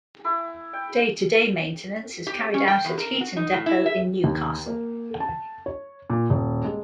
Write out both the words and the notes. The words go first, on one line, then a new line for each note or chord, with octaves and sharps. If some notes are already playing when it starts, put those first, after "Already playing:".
Day-to-day maintenance is carried out at Heaton depot, in Newcastle.
E4
G5
G4
C#4
G5
E2
A#4
F#4
D#4
A2
E4
E5
D#2
A#3
A5
C#5
A#2
D#1
G#3